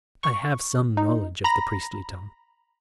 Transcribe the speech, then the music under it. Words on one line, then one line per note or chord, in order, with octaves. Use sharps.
"I have some knowledge of the priestly tongue."
C#6
D#4
A#5 B5 A#6